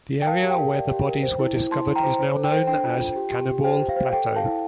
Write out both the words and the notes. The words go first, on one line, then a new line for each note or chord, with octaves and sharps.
The area where the bodies were discovered is now known as Cannibal Plateau.
G5
A#4 F5 A5
G4
G5
A#4
D5
G4
A#4
C5
E4
E4
E4 A5 C6
E4
G5 A#5
C5
C5
A4
G5
C5
D4 G5
F4
F4
G4
G4
G4
C5 G5
G4
F5
C5
A4 G5
A4
F5 A5
E4